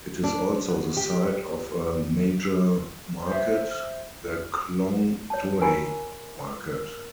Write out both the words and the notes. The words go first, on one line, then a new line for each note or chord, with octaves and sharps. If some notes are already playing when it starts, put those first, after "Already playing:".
It is also the site of a major market, the Khlong Toei Market.
D4
F#5
G4
C5 E5
C#5 A5
A#4 G#5 A#5 B5 C#6
A#4